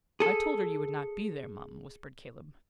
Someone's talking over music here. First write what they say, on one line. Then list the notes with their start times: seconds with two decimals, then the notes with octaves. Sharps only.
"I told her you would not be there, mum," whispered Caleb.
0.20 G#4 A4